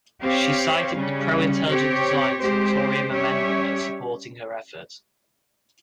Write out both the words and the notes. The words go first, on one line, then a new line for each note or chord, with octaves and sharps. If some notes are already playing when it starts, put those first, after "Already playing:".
She cited the pro-intelligent design Santorum Amendment as supporting her effort.
C4 G4 C#5 F5
C#3 G3 C#4
C4 G4 C#5
G#3 C4 G4 C5
G3 C#4 G4 C#5 E5